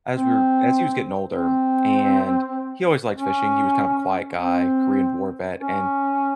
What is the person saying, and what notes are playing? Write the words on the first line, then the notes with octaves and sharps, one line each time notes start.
as we were as he was getting older, and he always liked fishing, he was kind of a quiet guy, Korean War vet, and,
C4
C4
C#4
C4
C#4